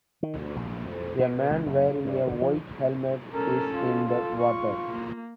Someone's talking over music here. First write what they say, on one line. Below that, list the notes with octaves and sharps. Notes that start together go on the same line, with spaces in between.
A man wearing a white helmet is in the water.
D#3
D2
A#1
F2
B2
C#2
F#1
C#3
G2
D3
F3
C#4 A4 A#4
F4
A4
C#6
A#3